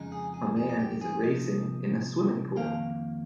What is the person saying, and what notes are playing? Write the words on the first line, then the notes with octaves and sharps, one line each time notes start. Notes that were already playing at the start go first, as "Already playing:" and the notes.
A man is racing in a swimming pool.
Already playing: F2 C#3 G#3 D#4
G#4
G#4
G#4
G#4
G4
G#4
C3 F3 A#3 D#5
F2 D#3 A#3 F5